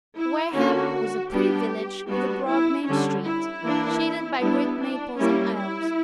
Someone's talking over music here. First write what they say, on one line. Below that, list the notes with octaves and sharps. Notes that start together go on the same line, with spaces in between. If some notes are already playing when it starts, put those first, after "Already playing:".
Wareham was a pretty village with a broad main street shaded by great maples and elms.
E4
D3 A#3 C#4 F#4
G3 B3 D4 G4
G3 B3 D4 F#4
E4
D3 G3 C#4
E4
E3 A#3 D4
G3 B3 D4 E4
D4
G3 A#3 C#4 E4
E4